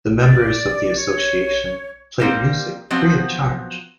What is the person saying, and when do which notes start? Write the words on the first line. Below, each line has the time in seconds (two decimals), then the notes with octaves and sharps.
The members of the association play music free of charge.
0.20 D5
0.96 C#5
2.20 G3 A#3 C4
2.91 F3 F#3 B3 C4